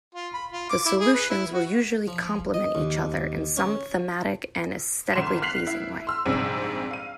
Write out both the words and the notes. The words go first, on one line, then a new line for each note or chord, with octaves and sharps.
The solutions will usually complement each other in some thematic and aesthetically pleasing way.
F4
B5
F4
D6
E4
G#4
B4
E4
F#4
F3
D#5
D#2
C#4
G#1 C6 E7
F6 F#6 B6 C7 F7 F#7
E4 E5
C6 E6 F6
A#1 G#2 C3 G3 C4 G#4
F5 D#7